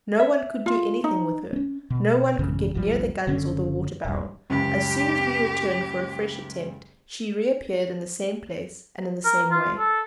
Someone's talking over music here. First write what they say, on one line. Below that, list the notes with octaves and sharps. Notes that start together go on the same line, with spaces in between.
No one could do anything with her; no one could get near the guns or the water-barrel; as soon as we returned for a fresh attempt she reappeared in the same place and in the same way.
E5
F4
D#4
C4 C#4
B2
A1 F#2 C#3
D1 G#1 F3 G3
F#1 D3 C#4
D#1 G2
F#1 C#2 G4
A#4
F4
A4